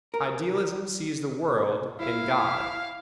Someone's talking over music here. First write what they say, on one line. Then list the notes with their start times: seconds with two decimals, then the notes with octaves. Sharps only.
Idealism sees the world in God.
0.14 A#4
1.99 E4 F5